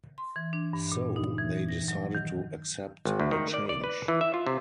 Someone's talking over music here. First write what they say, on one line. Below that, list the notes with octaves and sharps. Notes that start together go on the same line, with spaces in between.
So, they decided to accept a change.
C6
E3
D4
G2
A#2
D#4
E3
A#6
F#3
D#3
G#1
D2
D#3
D5
D5
B4
E3
E5
F4
C3